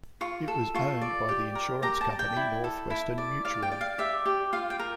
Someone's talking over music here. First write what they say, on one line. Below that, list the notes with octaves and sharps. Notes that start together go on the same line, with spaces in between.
It was owned by the insurance company Northwestern Mutual.
F4 C#6
A4
F4 C#6
D5
G4
A#4
G4 A#5
A5
D5
G5
E4
A4
E4
D5
D5 F5
G5
D5
F5
G4 E5
G4
F4 F5
G5
A#4